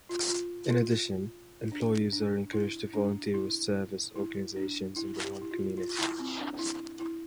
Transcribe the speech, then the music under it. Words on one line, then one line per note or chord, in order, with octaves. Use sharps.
In addition, employees are encouraged to volunteer with service organizations in their home community.
F4
F4
F4
D4
D4
E4
D4
E4
E4
D4
E4
G4
E4
F4
F4
E4
C4
D4
E4
E4